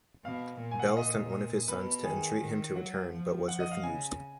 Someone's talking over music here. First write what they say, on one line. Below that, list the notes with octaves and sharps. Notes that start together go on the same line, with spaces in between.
Bel sent one of his sons to entreat him to return, but was refused.
B2 F5
A#2
G#5
F#5
F5
D#5
B2 B4
D#3 G#4
D#3
F#3 F#5
F3
F#5
D#5
F5
C#3 G#5